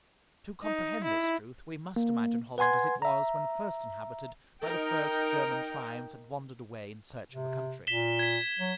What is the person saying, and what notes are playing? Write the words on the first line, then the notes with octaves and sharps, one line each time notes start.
To comprehend this truth, we must imagine Holland as it was when first inhabited by the first German tribes that wandered away in search of a country.
D#4
E4
A#3
B4 F#5 G#5 C6 G#6
E5 A#5
D#4 A#4 G5
C3
A#2 B6 E7 G7
G#6 B6
F#3